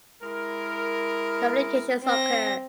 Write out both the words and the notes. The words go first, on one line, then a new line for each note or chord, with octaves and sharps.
Complications occur.
G#3 E4 A#4
C4 A#6